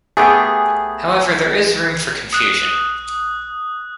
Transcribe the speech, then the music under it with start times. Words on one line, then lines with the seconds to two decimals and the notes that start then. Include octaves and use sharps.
However, there is room for confusion.
0.17 A3 B3 G4 G#4
2.33 D#6 F#6